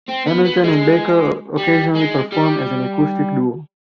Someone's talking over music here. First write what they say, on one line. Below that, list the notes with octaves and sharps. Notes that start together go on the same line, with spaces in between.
Hamilton and Baker occasionally perform as an acoustic duo.
C4
B3
B3
G#3
G3
G#3
G3